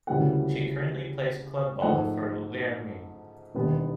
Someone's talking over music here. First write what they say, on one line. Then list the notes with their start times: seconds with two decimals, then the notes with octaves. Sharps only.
She currently plays club ball for Liaoning.
0.07 D2 C#3 E3 G3 A#3 F#5
1.81 G#2 F3 A3 F#5
3.55 E1 D#2 D#3 G3 B3